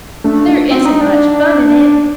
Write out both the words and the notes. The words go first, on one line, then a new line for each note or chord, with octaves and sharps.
There isn't much fun in it.
A3 D4
D#4
C4 D4
D#4
D4